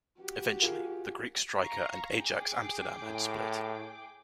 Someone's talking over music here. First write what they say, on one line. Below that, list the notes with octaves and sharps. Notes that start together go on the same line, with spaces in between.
Eventually, the Greek striker and Ajax Amsterdam had split.
F#4 G4
F4 G#4 A#4
F5 A#5 C#6
G#4 G5 D6
A2